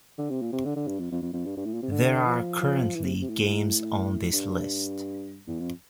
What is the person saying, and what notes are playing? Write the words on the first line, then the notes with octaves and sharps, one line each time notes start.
There are currently games on this list.
D3
C3
A#2
C3
D3
D3
G2
F2
F2
F2
F2
G2
G2
A2
A#2
C3
D3
F3
F3
E3
C3
C3
A2
G2
E2
F2